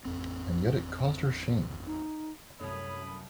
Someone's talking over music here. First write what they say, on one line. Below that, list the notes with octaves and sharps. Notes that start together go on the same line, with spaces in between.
And yet it caused her shame.
A1 F2 C4
D#4
C2 F#2 A3 C#5 B5 D#6